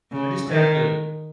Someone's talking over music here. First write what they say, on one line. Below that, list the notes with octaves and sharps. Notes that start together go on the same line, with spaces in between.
I just have to
C#3
D#3